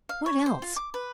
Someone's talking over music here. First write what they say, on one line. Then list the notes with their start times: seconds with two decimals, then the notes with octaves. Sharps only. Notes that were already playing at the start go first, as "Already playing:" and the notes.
"What else?"
0.09 F5
0.26 C#5
0.46 C5
0.62 F4
0.76 D6
0.94 B4